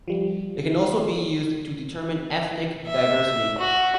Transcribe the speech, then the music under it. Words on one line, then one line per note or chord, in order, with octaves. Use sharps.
It can also be used to determine ethnic diversity.
F3 G3
E5
F#4